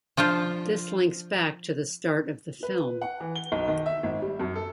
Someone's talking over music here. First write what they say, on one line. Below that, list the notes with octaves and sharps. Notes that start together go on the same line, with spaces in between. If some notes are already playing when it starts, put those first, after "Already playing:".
This links back to the start of the film.
F3 D4 F4 C5
B4
F#5
E3
G7
B1
D#3
E5
G#1
G3
F#2
A4